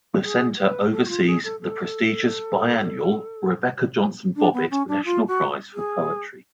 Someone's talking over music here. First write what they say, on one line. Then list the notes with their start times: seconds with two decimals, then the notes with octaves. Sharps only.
The center oversees the prestigious biannual Rebekah Johnson Bobbitt National Prize for Poetry.
0.23 G#4
0.58 B4
0.92 A4
1.05 F#4
1.09 F4
1.26 G#4
1.44 A4
1.61 A4
4.36 D4
4.54 B3
4.71 C#4
4.88 D4
5.05 F4
5.28 F#4
5.74 G#4